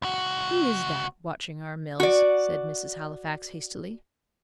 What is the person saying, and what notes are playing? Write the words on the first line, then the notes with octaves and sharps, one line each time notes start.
"Who is that, watching our mills?" said Mrs. Halifax, hastily.
C#2 F#4
F#4 D5